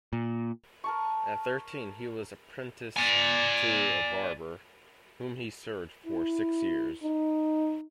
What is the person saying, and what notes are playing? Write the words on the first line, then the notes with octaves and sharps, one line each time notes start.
At thirteen he was apprenticed to a barber, whom he served for six years.
A#2
A#4 A5 C#6
D5 G#5
E4
D#4